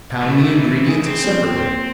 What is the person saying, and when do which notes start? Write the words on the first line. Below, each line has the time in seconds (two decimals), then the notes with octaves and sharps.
Pound the ingredients separately.
0.22 E3 A3
0.88 G#4
1.06 C4
1.23 F3 B3 C#4
1.45 A#2 G5 E7